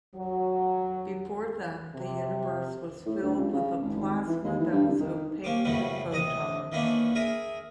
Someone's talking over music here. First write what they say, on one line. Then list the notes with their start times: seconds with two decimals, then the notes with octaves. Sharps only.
Before then, the Universe was filled with a plasma that was opaque to photons.
0.15 F#3
1.94 C3
3.06 A2
3.22 D2
3.37 C#2
3.53 C#3
3.81 G#1
3.96 G#1
4.28 E3
4.44 D#2
4.59 E3
4.72 G2
4.88 C2
5.00 D#3
5.44 A#3 C4 C#4 D6
5.64 F#2 A2 C#3 G3 B3 C#4
6.11 A1 C3 D#5 D#6
6.72 D#3 E3 A#3 B3 C#4 D4
7.15 G#4 A#4 E5 D#6